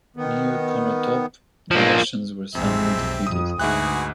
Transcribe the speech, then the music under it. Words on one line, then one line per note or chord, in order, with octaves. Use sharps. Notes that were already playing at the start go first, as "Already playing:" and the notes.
Near Konotop, the Russians were soundly defeated.
D#3 B3
G#2 B2 F3 F#3 A#3
A1 F2 G#3 C4 G4 E5
B1
F2 D#6
D2 G#2 F#4 G#4 B4 E5 F#6